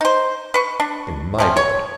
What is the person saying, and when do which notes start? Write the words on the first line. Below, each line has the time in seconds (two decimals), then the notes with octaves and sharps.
In my blood!
0.01 D#4 C5
0.54 B4 C#6
0.80 D4
1.38 C3 F3 C#4
1.57 C#5